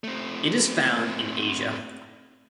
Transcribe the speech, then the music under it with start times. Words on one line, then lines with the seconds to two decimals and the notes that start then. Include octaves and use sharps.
It is found in Asia.
0.04 A3 C4